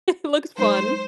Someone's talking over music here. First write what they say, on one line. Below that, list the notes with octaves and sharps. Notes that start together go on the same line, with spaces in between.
looks fun
F#3 G#3 D#4 C5